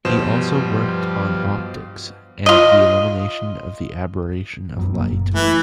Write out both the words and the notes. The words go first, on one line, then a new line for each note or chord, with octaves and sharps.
He also worked on optics and the elimination of the aberration of light.
G2 B2 F3 C5 E7
F4 D#5
F#2 F#3 B3
F#1 A#2 A#3
F#1
E3 A3